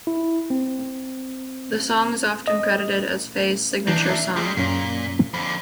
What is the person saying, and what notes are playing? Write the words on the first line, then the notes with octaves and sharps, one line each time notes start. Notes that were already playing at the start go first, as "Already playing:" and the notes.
The song is often credited as Faye's signature song.
E4
C4
D#5
E3 D4 D#4 G6
E5
G3 G#3 G#4
F#2 A#2 C#4
F2 D3 B5